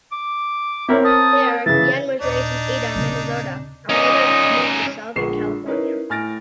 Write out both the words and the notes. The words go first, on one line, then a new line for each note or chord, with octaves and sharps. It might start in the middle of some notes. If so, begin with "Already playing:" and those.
There, Yenn was raised in Ada, Minnesota, and later moved to Southern California.
D6
C4 E4 A#4 C#5
A5 D#6
C#3 E3 E5 A6
D#2 A#2 D4 D#4
C#3 C4
A#2 C#4 D#4 D#5
A#1 D3 G#3 C#6 C7 E7
C#4 D#4 E4 A#4 B4 C#5
A2 G#5 F6 A6 A#6 D7